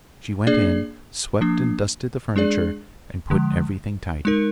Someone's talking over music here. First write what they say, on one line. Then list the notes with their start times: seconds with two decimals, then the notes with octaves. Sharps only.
She went in, swept and dusted the furniture, and put everything tidy.
0.47 A#3 D4 G#4 D5
1.41 F3 A#3 D4
2.36 G#3 D4 G#4 D5
3.30 D3 F3 G#3
4.25 G#3 D#4 A#4